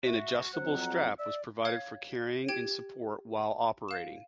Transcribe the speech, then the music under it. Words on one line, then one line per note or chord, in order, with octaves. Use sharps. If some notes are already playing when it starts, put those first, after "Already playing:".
An adjustable strap was provided for carrying and support while operating.
F#4 E5
F2 F#3 C5 F#5
A#5
D5 E5
C#5 F5 G#6
G4 G5 G#6 D7
F5 E7